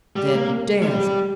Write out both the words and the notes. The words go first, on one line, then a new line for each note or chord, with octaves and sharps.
Then dance!
G3
A#3
G#3
G3